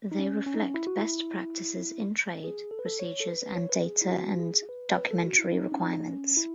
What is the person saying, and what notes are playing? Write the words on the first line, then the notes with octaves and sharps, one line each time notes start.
They reflect best practices in trade procedures and data and documentary requirements.
D#4
C#4
C#4
D#4
C#4
E4
F#4
E4
G#4
A4
B4
A4
C#5
A4
B4
B4
C#5
B4
G#4
E4
F#4
G#4
B4
C#5
B4
A4
F#4
E4
D#4
C#4
D#4
C#4
E4